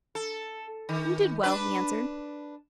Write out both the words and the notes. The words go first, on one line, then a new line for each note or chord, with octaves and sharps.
"We did well," he answered.
A4
D#3
D4 B4